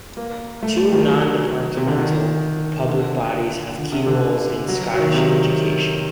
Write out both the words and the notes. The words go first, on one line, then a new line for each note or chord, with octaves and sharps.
Two non-departmental public bodies have key roles in Scottish education.
A#3
A3
A3
D#3
F#3
C3
D3
D#3
D3
D3
C3
D3
F#3
F#3
D#3
C3